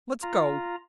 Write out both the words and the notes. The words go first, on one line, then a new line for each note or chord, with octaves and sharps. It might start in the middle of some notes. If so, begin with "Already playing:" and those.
"Let's go."
F4 A#5